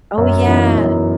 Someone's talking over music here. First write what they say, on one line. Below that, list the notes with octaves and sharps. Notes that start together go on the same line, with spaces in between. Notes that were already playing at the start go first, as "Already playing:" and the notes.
Oh, yeah.
F#2
E3 B3 D#4
F#2